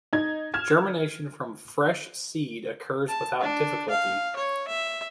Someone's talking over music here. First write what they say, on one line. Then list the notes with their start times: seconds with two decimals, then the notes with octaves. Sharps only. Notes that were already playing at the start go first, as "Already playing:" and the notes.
Germination from fresh seed occurs without difficulty.
0.13 D#4 G#6
0.54 F6 G#6 E7
3.09 A5
3.41 D4
3.90 F5
4.36 C#5
4.68 E5